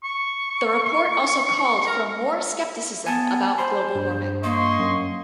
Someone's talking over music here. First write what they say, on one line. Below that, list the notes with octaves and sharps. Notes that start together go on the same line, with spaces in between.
The report also called for more scepticism about global warming.
C#6
A#4
B3 G#5 A5
C5 B5 C6
G2
A#3 D#5 C6 C#6
F#2